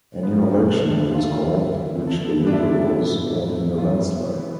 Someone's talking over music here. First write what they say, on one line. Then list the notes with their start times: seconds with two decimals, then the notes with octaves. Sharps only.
A new election was called, which the Liberals won in a landslide.
0.23 F3 B3
0.38 F2 C4
0.53 C3 C4
0.68 A3 D4
0.84 F2 D4
1.00 A3 E4
1.14 D2 F4
1.30 E3
1.45 D2
1.61 D2
1.76 E3
1.91 D2
2.07 A4
2.22 B3
2.37 B3
2.47 D4
2.53 E4 A4
2.69 A4
2.83 B3
2.99 A2
3.14 E3
3.30 A2
3.45 A2
3.61 E3
3.76 A2 F4
3.91 F2 E4
4.06 B3
4.22 E3
4.37 B3